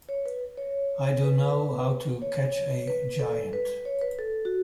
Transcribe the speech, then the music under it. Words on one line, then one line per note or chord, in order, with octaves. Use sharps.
I dunno how to catch a giant.
C#5
B4
C#5
B4
C#5
B4
A4
B4
C#5
B4
A4
F#4